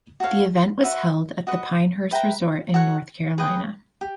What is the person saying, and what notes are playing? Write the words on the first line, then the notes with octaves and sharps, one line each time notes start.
The event was held at the Pinehurst Resort in North Carolina.
F#4 A4 C#5 F5
F#4 B4 E5
F#4 B4 D#5 F#5
B4 E5 G5 A#5
F#4 A4 C#5 F#5
G#4 B4 D#5 G5
G4